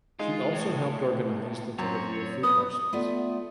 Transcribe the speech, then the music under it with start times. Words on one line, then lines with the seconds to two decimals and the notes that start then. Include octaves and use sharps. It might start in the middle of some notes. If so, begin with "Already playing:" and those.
She also helped organise the delivery of food parcels.
0.19 G#3 D#4 F4
0.53 A2
1.79 F#2 C4 C#5
2.43 B3 D#6
2.93 A3 B3 F4 D5 E5 F#5